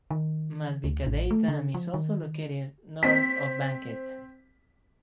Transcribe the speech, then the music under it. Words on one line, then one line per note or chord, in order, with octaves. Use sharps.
Mazvikadei Dam is also located north of Banket.
D#3
D2
A1
A3
D3
F3
D#3
C4 B6